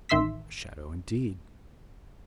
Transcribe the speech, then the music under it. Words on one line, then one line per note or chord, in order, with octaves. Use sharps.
A shadow indeed!
A1 D#3 E5 C6 E6 B6